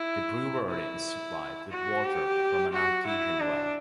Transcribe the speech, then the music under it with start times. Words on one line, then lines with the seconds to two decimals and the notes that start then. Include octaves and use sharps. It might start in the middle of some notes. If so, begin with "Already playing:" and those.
The brewery is supplied with water from an artesian well.
Already playing: E4
0.70 E4
1.71 F#4
2.05 G4
2.73 F#4
3.07 E4
3.40 D4